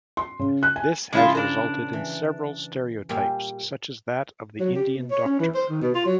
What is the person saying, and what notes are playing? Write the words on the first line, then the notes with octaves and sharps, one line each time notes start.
This has resulted in several stereotypes such as that of the "Indian Doctor".
C6
C#3
F#6
G#5
C#3 F3 G#3 E4 F4
D4 A#4
E3
A#2 G3 G#4
F#3
G4
B2
C#5
C#4
E3
C5
D#3
B2
F4
F#3